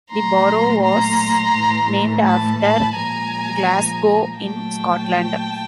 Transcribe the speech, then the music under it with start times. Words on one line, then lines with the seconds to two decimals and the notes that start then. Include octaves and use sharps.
The borough was named after Glasgow, in Scotland.
0.11 A#2 F#3 A3 A#5 C6
0.83 A#5 C6
1.53 A2 E3 A3
2.25 A5 B5
2.61 A5 B5
2.96 A#2 F3 G#3 G#5 A#5
4.39 A#2 F#3 A3 G5 A5